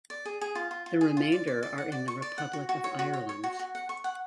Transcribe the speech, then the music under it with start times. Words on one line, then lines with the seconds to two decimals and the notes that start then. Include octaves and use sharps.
The remainder are in the Republic of Ireland.
0.10 D5
0.25 G#4
0.41 G#4
0.55 F4
0.71 F4
0.86 F4
1.01 G#4
1.17 F4
1.32 D5
1.47 D5
1.63 D5
1.78 F#5
1.92 D5
2.08 C#6
2.22 D5
2.38 F#5
2.53 F#4
2.69 F#4
2.84 C#5
2.99 F#4
3.13 C#5
3.29 C#5
3.44 F#4
3.59 F#4
3.75 F#5
3.89 C#6
4.04 F#5